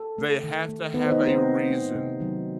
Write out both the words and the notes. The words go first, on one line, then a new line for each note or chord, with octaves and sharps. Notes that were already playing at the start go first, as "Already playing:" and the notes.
They have to have a reason
Already playing: A4
A3
D#3
A3
D#3 B3 B4
C5
D#4 D#5
A3
C4 C5
D#3
A3
C3
D#3 F#3